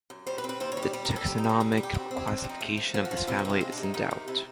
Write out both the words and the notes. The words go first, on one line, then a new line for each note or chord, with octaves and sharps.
The taxonomic classification of this family is in doubt.
F#2
G3 C5
B4
C4
B4
D#2 C5
C#5
G3
D5
G3 D5
A#4
G3
A4
D#2 G4
D#4
G3
D#4
D#2 G#4
G4
G3
G4
C4 F#4
C4
E4
C4
D4
F3
D#4
A3
F3
F3
F#4
F3
F4
C3 E4
D#4
C4 F4
G#3
D4
C3
D#4
D#3 D#4
C3
C3 E4